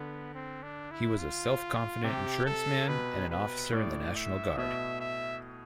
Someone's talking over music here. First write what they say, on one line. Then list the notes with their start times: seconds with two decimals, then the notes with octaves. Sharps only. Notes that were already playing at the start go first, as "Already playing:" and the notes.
He was a self-confident insurance man and an officer in the National Guard.
Already playing: D3 B3
0.34 C4
0.63 D4
0.91 E4
1.19 F4
2.04 C3 G4
2.46 A4
2.88 B2 B4
3.30 B4
3.73 A2 D5
4.16 E5
4.58 B2 E5
5.01 E5